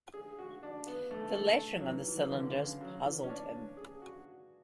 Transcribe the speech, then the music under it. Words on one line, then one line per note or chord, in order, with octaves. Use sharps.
The lettering on the cylinders puzzled him.
G#4
F#4
D4
B3
A3
A3
F#3
E3
E3
F#3
E3
D3
C#3
F#3
E3
C#4
D4
G#4
F#4